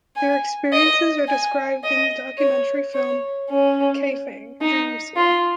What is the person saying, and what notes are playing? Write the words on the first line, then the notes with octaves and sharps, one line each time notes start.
Their experiences are described in the documentary film, "Kaifeng, Jerusalem".
G#5
D#5
G#5
D#5
C#5
C#5
C#4
D#4
F4